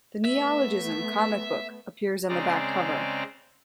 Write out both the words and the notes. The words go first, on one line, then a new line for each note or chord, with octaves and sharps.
The neologism "comic book" appears on the back cover.
A3 B3 E5
C#3 G#3 C4 D5 A#5